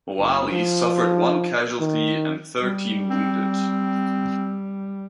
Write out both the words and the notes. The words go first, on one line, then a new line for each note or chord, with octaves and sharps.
"Moale" suffered one casualty and thirteen wounded.
F#1
F3
D#3
G3
C4